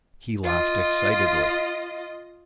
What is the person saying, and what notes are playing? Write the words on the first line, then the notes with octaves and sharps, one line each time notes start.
He laughed excitedly.
F4 D#5